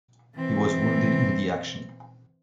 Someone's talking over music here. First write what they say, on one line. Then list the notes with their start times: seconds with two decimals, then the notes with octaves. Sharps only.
He was wounded in the action.
0.35 E3 C4